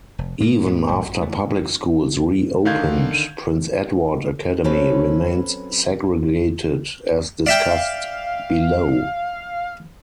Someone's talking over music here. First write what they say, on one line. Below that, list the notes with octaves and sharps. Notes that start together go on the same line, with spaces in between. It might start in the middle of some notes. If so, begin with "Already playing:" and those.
Even after public schools re-opened, Prince Edward Academy remained segregated as discussed below.
F1
A2 C#3 A#3
A2 B3
G#1 A2 G3
G#1
E3 A3
D3 D#3 F5 G6 G#6
F#3 C4 C#4 A4 B4
D5 E5 F5 G5